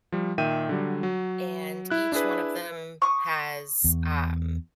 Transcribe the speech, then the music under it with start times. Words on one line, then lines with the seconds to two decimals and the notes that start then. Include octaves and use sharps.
and each one of them has, um,
0.12 F3 G3
0.38 A#2 D#3 E5 G5 D#7
0.69 D3 F#3 G3
1.03 F#3
1.90 E4 F#6
2.12 D4 E4 G#4 B4
3.02 C#6 D#6
3.84 E2